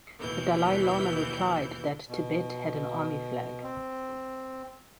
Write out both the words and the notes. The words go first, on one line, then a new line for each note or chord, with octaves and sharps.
The Dalai Lama replied that Tibet had an army flag.
D#2 B2 E3 G6
B2
C4